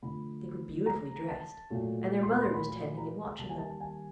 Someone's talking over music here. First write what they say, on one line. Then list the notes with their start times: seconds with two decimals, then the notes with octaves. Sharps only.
They were beautifully dressed, and their mother was tending and watching them.
0.02 D3 F3 A3 B5
0.86 A#5
1.29 A5
1.70 A#2 F#3 A3
2.23 C6
2.33 B5
2.43 C6
2.54 B5
2.97 A#5
3.39 D#3 G3 A#3 A5
3.49 G#5
3.58 A5
3.80 G#5